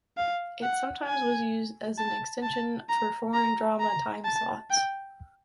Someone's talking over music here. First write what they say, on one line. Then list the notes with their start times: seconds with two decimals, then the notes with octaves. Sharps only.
It sometimes was used as an extension for foreign drama time slots.
0.17 F5
0.63 F#5
1.07 G#5
1.98 A5
2.43 A5
2.89 A#5
3.34 A#5
3.80 A#5
4.25 A5
4.70 G5